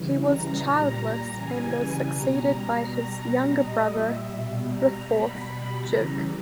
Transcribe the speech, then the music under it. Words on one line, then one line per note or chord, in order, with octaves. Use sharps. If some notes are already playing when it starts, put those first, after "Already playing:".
He was childless and was succeeded by his younger brother, the fourth Duke.
Already playing: C#3 E3 G3
A#5
A#2 G3 A#5
A#5
C#3 E3 G3 G#5
G#5
B2 G3 A#5
A#5
B2 G3 A#5
A#2 G3 D#5
E5
B2 G3
A#5
B2 G3 B5
B5
C#3 E3 G3 A#5